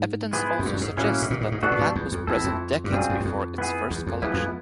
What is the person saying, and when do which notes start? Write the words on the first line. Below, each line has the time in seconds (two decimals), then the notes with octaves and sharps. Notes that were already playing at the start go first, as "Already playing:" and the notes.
Evidence also suggests that the plant was present decades before its first collection.
Already playing: G#2
0.33 G#3 B3 E4 G#4 C5
0.59 F#2
0.65 G2
0.73 F#2
0.81 G#2
0.97 A2 F#3 A#3 C#4 E4
1.22 A2
1.30 A#2
1.41 A2
1.52 G#2
1.63 G#2 B3 D4 F#4 A4
1.71 A2
1.79 G2
1.96 E2
2.12 F2
2.27 E2 C4 E4 A4
2.44 F2
2.84 G2
2.92 F#2 G3 C4 F4 G#4
3.09 F#2
3.20 F#2
3.25 F2
3.58 B3 E4 G#4
3.90 E2
4.07 F2
4.22 E2 F3 G#3 B3 E4
4.34 F2